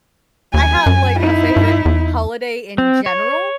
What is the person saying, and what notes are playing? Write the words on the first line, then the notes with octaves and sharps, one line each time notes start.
I have, like, a favorite holiday in general.
D#2 G#5
F#2
D#4 E4
G2
E2
C4
C#5